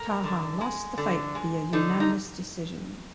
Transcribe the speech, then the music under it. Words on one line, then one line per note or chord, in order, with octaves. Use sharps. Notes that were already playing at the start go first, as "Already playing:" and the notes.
Taha lost the fight via unanimous decision.
Already playing: A#4
D3
G#3
D3
G#3
D3 D#4
D#4